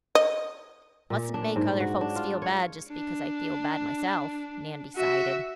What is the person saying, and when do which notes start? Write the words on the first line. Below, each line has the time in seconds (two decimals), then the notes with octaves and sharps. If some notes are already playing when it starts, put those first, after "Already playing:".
"Mustn't make other folks feel bad just because I feel bad myself," Nan decided.
0.15 D#5
1.10 A#2
1.34 D4
1.56 G#2
1.80 F#4
2.01 D4
2.16 F4
2.42 C#5
2.89 D4
4.96 F#4 E5